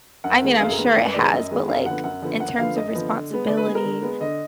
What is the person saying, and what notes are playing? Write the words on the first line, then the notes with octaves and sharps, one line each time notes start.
I mean, I'm sure it has, but, like, in terms of responsibility,
F#2 F#5
D#3 G#3 B3
F#2 F5
G#4
A#4
D#3 G#3 B3
B4
F#2 D5
B4
D#3 G#3 B3 D5
F#2 D#5
D#3 G#3 B3
F#2 F5
D3 F3 B3 F#5
F#2 F#5
D3 F3 B3
F#2 F#5
D3 F3 B3 F5
F#2 D#5
D3 F3 B3
D3
G#3 B3
D3 D5
B4
G#3 B3 G#4
A#4
D3
G#3 B3
D3 D#5